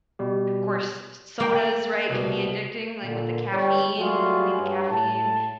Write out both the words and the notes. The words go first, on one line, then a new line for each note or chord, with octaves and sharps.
'course, sodas, right, can be addicting, like, with the caffeine- people need the caffeine-
B2 G3 G4
A#3 G5
C2 B2
A#2 D3
G1 G3 C#5
F#3 G3 A3 F4 F#4 G#4
G2 F#3
A2 A5